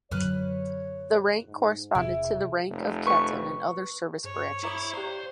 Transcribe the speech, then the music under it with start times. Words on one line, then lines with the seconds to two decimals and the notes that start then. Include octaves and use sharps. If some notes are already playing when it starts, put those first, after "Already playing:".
The rank corresponded to the rank of captain in other service branches.
0.11 F#2 D3 F#3 B4 C#5 F6 F#6
1.48 G#2
1.95 E1 C3 E4 G#4
2.70 F1
3.07 B4 C#6
4.24 G2 G#4 C5 C#5
4.64 E4 A#5 B5 D6 D#6
4.94 G4 C5 D5 F5 G5 A#5